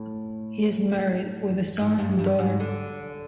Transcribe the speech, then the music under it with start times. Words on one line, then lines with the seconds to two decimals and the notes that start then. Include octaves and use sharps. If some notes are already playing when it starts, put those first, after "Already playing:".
He is married, with a son and a daughter.
Already playing: A2
1.79 G#2
1.99 G2
2.19 G2
2.39 G#2
2.60 D3